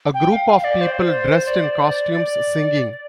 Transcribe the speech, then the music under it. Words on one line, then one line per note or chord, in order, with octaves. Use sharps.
A group of people dressed in costumes singing.
G5
F5
F5
D5
C5
D5
D5